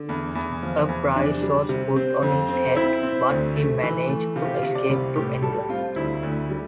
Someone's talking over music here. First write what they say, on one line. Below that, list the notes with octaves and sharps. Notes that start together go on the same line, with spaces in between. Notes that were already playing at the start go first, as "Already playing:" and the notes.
A price was put on his head, but he managed to escape to England.
Already playing: D3
E2
E2
F3
E2
C3 D4
G3
C3
C4
F2
C4
C4 E4
C4
D2
A3
E3
A3
C3 F4
G4
F4
C3
D5
C2
A2 G4
G3 A4
C4 F4
D2 E4
D2
G3